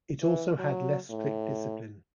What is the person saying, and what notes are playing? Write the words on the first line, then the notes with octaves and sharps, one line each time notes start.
It also had less strict discipline.
E3
F#3
A2